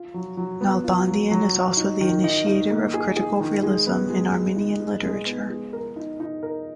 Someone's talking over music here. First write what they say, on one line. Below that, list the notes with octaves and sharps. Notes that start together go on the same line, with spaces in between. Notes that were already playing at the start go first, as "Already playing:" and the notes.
Nalbandian is also the initiator of critical realism in Armenian literature.
Already playing: F4
F#3
F#3
B3
F4
F#3
F#3
F#3
D#4
D#3
D#4
D#4
A#3
G#4
G#4
D#3
G#3
B3
G#3
G#3
D#4
G#3
G#3
B3
G#3
A#4
D#4
D#4
A#4